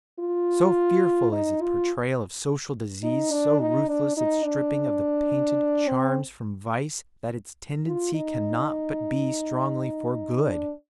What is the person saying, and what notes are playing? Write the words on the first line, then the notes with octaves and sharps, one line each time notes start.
So fearful is its portrayal of social disease, so ruthless its stripping of the painted charms from vice, that its tendency cannot but be strongly for good.
F4
D#4
F4
D#4
D4
D#4
D4
D#4
D4
C4
F4
D#4
D4